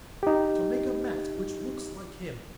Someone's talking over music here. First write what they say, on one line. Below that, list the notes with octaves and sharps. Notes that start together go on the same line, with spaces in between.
To make a mask which looks like him!
D#4 G4